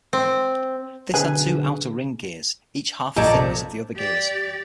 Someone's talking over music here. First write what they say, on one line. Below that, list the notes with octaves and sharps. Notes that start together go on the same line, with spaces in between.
This had two outer ring gears, each half the thickness of the other gears.
C4
B1 D3 G#4 B4 G#5
A#1 G4 A4 D5 D#5 A5 A#5 G#6
C3
G4 D5